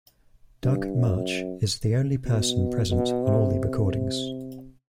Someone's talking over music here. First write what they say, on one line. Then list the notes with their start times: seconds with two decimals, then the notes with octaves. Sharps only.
Doug Martsch is the only person present on all the recordings.
0.63 G2
0.95 F#2
2.26 B2
2.91 B2
3.24 C3